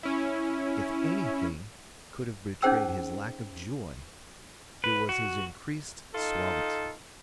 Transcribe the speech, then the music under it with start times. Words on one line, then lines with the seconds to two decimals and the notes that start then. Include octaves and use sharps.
If anything could have betrayed his lack of joy, it was his increased suavity.
0.03 C#4 E4
2.62 C#4 D#4 G#4 C5 G5 E6
4.84 B4
5.09 F#4
6.14 D#4 F4 A4